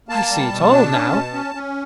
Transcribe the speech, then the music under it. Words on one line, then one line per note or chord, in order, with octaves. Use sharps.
I see it all now.
A#3 A5
G3
B2
D4
C#4
B2
C#4
C#4